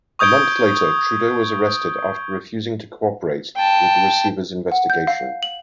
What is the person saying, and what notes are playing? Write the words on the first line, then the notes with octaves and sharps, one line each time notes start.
A month later Trudeau was arrested after refusing to cooperate with the receiver's investigation.
C#6 D#6 G6 G#6 D7 G7
G5 A5
F#5
G6
F5
F#7